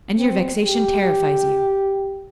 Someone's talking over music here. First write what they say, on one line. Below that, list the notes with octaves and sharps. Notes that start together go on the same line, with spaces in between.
And your vexation terrifies you.
C4
G4